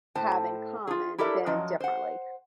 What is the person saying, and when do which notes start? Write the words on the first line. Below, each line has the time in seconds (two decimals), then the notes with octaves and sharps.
have in common than differently.
0.15 A2 C5 A5
0.87 F4 G#4
1.18 E4 G4 A4 A#4 D5 E5
1.46 F#2 F3 F#3 D#5
1.80 C5 F#5